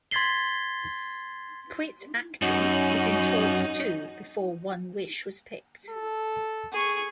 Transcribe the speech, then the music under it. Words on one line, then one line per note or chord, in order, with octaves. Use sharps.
"Quit Actin" was in talks, too, before "One Wish" was picked.
C6 G#6 A6 B6 C7 G7
F#2 C#4 D#4 F#4
A4
G#4 C#6